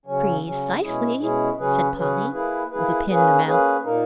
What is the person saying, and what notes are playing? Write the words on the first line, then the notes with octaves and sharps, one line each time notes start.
"Pre-cisely," said Polly, with a pin in her mouth.
C#3 F#3 C#4
C#3 F#3 C#4
B2 G#3 C#4 E4 G#4
B2 G#3 C#4 E4 G#4
C#3 F#3 C#4 G#4 B4
C#3 F#3 C#4 G#4 B4
A#3 E4 G#4 B4
A#3 E4 G#4 B4
A#3 C#4 G#4 B4
A#3 C#4 G#4 B4
A#2 A#3 D#4 A#4